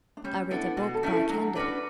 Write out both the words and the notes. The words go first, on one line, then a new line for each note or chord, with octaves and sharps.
I read a book by candle.
D4
G3 C#4
B3 D4 E4 A4
B2 F#4
A4
A3 C#4 E4
A4
F#3 D4
C#4 D4 F#4 B4 D5